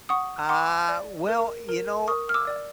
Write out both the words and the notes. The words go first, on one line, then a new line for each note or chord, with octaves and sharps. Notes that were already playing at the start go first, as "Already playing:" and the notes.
Uh, well, you know, eh
F#5 C#6 D#6
F#5 C6 D6
D5
A#4
A#4
A#4 C#6 D#6
F6
D6 E6
D5